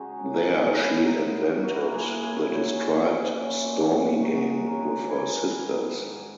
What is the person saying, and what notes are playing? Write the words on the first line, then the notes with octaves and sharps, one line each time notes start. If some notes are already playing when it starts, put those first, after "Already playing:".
There she invented the described "stormy game" with her sisters.
Already playing: C#3 G#3 D#4 F#4 G#4
C#4
D#4
C#4
C#3 E4
F#2 D#4
E3
A#3 F#4
E4
D#4 F#4
A#3 E4 G#4
F#2 E4 G#4
C#4 E4
C#4
A#2
C#4
A#2
A#2
D#3 D#4 F#4
G#3
A#4 C#5
D#3
D#4 G#5 B5
D#3
D#3
G#2